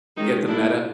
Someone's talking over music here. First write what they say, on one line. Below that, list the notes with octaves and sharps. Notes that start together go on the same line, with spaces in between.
Get the Meta.
D#3 G#3 C#4 D#4
D3 G3 A#3 D4 E4